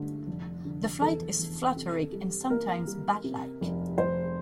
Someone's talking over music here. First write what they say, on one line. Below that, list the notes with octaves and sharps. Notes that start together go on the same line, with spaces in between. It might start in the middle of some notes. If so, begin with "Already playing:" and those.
The flight is fluttering and sometimes bat-like.
Already playing: G2 D3 A3
F1
D3
E2 A4
E2
C3
G3
A#3 A#4
G3
C3
F1
F1 C5